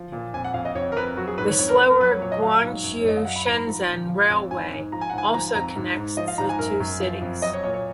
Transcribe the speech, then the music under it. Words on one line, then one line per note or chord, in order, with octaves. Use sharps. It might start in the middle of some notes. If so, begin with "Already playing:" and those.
The slower Guangzhou–Shenzhen railway also connects the two cities.
Already playing: F3
A#2
F2 G#5
F#5
F2 F5
D#5
F2 C#5
A#4
F2 B4
F#3 F#4
G#4
G#2 B4
C#5
F2 C#5
A#4
F2
A#4
F#3 B4
C#5
A#2 C#5
D#5
F#3 F5
G#2
F#2
C#5
F#2 D#5
F5
F#3 F#5
B5
G#2 A#5
B5
F3 A#5
A#2
F3
F2
G#2 G#5
G#2
F3 A#5
G#5
F#5
G#2 G#5
F3 A#5
F2 A#5
G#2
G#2
F3 D#5
F5
G#2 A#5
G#5
F#2 A#4
F#2
F3
F2
F#3 D#5
C#5
A#2 C#5
C#5